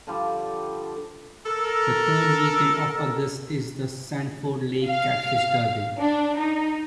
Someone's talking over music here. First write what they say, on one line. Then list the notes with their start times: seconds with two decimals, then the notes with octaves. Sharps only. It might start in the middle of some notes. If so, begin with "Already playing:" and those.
The third weekend of August, is the Sanford Lake Catfish Derby.
0.07 D3 F3 G3
1.46 A4 A#4
4.87 F5
5.99 D4
6.40 D#4